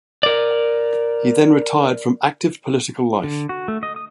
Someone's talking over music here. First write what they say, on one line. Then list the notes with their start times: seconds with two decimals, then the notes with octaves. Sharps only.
He then retired from active political life.
0.23 A#4 D5
3.24 D3
3.49 F#4
3.68 A3
3.83 D#5
3.96 D#6